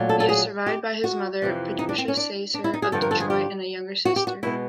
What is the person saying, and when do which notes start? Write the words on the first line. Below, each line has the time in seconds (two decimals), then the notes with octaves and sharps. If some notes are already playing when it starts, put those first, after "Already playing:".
He is survived by his mother, Patricia Sasser of Detroit, and a younger sister.
Already playing: A#2 F#3 A3
0.09 A4
0.20 A4
0.29 G#4
0.66 G4
1.04 F#4
1.42 F2 C3 E3
1.79 D#4
1.89 D4
1.98 C4
2.08 C#4
2.17 D4
2.54 D4
2.64 E4
2.74 D#4
2.82 G#4
2.92 G2 D3 F3 A4
3.02 A#4
3.11 A4
3.20 G#4
3.30 G4
4.05 F#4
4.16 G4
4.27 F#4
4.43 B2 G#3 B3 E4